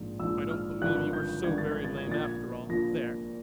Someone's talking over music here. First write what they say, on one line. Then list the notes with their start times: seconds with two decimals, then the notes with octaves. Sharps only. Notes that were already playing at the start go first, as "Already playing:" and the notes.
"I don't believe you were so very lame after all--there!"
Already playing: A#1 G#2 F3
0.19 A#1 G#2 F3 E6
0.50 F6
0.81 G#1 G2 D3 F3 F#6
1.13 G6
1.44 G#1 G2 D3 F3 G#6
1.58 A6
1.71 G#6
1.85 A6
1.98 G#6
2.07 A#1 A#2 F3 A6
2.24 G#6
2.69 A#1 A#2 F3 A#6